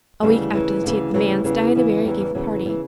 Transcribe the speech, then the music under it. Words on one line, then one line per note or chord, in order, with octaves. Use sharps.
A week after the tea at the manse Diana Barry gave a party.
D2 C#3 E3 G3
D2 C#3 E3
D2 C#3 E3
D2 C#3 E3 F#3
G3
E2 C#3 E3
E2 C#3 E3
E2 C#3 E3 G3
G3
E2 C#3 E3 F#3
F#3
C#3 E3 G3